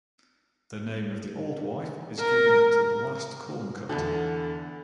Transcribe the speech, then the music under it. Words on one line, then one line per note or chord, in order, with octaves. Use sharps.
The name of the Old Wife is given to the last corn cut.
A#4
E2 D3